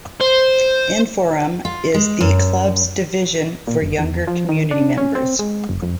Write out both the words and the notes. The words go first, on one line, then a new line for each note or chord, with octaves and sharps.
Inforum is the Club's division for younger community members.
C5
F4
G#3
F#2
A#2
F#1
E2
F3
D#3
D4
C#4
C4
G#3
F#1
F2